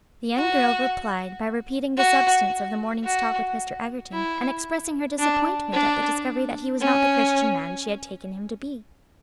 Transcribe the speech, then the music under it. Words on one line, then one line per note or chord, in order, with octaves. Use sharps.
The young girl replied by repeating the substance of the morning's talk with Mr. Egerton, and expressing her disappointment at the discovery that he was not the Christian man she had taken him to be.
F#4
F#4
F#4
E4
D4
D4
C#4